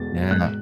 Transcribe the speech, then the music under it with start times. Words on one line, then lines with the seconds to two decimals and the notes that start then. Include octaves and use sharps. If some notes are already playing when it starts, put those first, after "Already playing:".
Yeah, no
Already playing: E2 B2 G#3 A6
0.12 B2
0.31 G#2 F#6